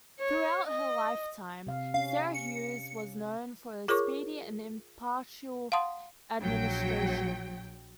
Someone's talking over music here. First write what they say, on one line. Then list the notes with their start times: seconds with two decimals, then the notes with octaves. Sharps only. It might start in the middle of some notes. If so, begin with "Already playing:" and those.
Throughout her lifetime, Sarah Hughes was known for her speedy and impartial administration.
0.20 C#5
0.67 D#5
1.67 C3 F5
1.94 C#4 F5
2.34 C#7
3.88 F4 G#4 A#4 C#5 C#6 D6
5.72 F5 F#5 A5 C6 D#6
6.41 A#1 F#3 G5